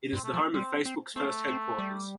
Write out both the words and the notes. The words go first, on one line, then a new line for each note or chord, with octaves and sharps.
It is the home of Facebook's first headquarters.
G2
C4
A3
F3
G3 C4
C4
A3 C4
C4
G3